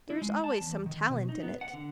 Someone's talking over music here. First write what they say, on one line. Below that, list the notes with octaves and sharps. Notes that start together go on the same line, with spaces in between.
There is always some talent in it.
E4
G#3
A5
E2
D#3
B2
D#4
B3
F#5
D3